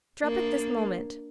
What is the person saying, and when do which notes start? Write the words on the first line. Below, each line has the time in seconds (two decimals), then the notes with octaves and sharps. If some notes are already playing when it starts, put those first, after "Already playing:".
Drop it this moment!
0.24 A#3 D4